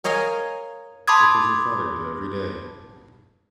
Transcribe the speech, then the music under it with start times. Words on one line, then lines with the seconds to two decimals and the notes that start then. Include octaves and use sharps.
What does your father do every day?
0.04 A#4 C#5 D#5 F5 G#5
1.08 A5 B5 C6 D6 D#6 G#6